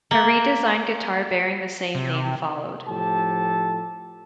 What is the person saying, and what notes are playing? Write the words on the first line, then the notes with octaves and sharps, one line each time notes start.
A redesigned guitar bearing the same name followed.
A#3
C3
A2 F3 G4 A4 A5